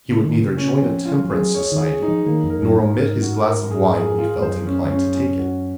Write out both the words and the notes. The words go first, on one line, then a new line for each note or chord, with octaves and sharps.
He would neither join a temperance society, nor omit his glass of wine when he felt inclined to take it.
A#2 C#3
D#3
A#2 C#3
C#4
F3 C4
F4
F#3
F3
F#3 G#4
C#5
D#3
G#4
D#4
F3
D#3 A#3
F2
A#4
F#2
D#4
G#2
G#2 A#4
F#4
A#4
G#4
G#4
F4
G#2
F#2 C5
C#4
C#4
C#4
F#4